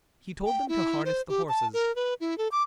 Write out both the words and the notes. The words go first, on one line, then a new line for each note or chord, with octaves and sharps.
He told them to harness the horses.
G5
E4
C5
G4
A5
A#4
B4
E4
A4
D6